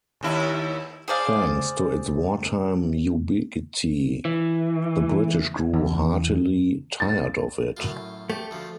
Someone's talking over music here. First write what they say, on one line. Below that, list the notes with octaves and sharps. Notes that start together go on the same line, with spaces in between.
Thanks to its wartime ubiquity, the British grew heartily tired of it.
D#2 E4
G#4 C5 D5 F5
E3
E2
A6
F#2 A2 F4
A3 G4
D2 F3